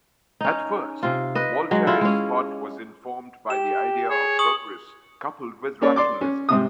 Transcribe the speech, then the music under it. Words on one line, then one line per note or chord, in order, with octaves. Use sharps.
At first Voltaire's thought was informed by the Idea of Progress coupled with rationalism.
C#4 D#4
C3 F4
B4 D#5
F#3 G#3
E4 F4
G#3 C#4
G4 E7
G#4 C#5
C#6 D#6 F#7
A#3 C#4 C#5 D5
D5 C6 D6
C#4
G#2 C3 D#6